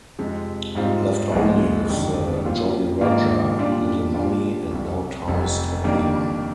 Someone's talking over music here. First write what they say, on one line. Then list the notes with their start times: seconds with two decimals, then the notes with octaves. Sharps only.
Left only with the Jolly Roger, little money, and no ties to anyone.
0.19 F2 C3 F3 G#3
0.75 G#2 G3 C4 F4
1.32 C2 A#2 F3 G#3
1.88 G1 F2 D#3 G3 D4
2.44 A#2 G3 C4 F4
3.01 G#2 D#3 A#3 D4 F4
3.58 A#2 G3 D4 F4
4.14 A#2 G3 D4 F4
4.71 C2 C3 G3
5.28 F1 F2 C3 G3
5.84 F2 D#3 G3 A#3 D4